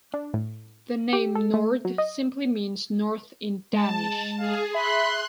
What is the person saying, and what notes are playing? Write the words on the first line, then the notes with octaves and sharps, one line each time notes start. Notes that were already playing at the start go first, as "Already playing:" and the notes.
The name "Nord" simply means "north" in Danish.
D4
A2
G4
A4
A3
F#3
D#5
G#3 A5
G#4 F5
E5 B5 C6 F#6